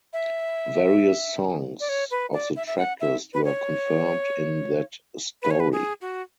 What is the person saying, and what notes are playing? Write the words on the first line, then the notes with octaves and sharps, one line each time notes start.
Various songs of the tracklist were confirmed in that story.
E5
D5
C#5
B4
D5
E5
E5
F#5
E5
B4
C#5
B4
C#5
B4
G#4
F#4